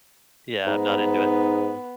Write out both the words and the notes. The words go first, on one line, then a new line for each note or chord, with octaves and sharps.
yeah, I'm not into it.
G#2 B3 D#4